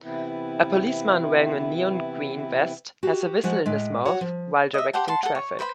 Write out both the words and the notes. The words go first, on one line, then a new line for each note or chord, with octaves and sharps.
A policeman wearing a neon green vest has a whistle in his mouth while directing traffic.
C3 E3 B3 C4 E4
F#4 G4
F3 G#3 F#4 F#5
A2 G#3
F#4 C#5 F#5
F3
D#5 E5
G4 C5 F#5 A5
F#5 A5 C6
A4 F#5
C#5
B4 C5 D5 B5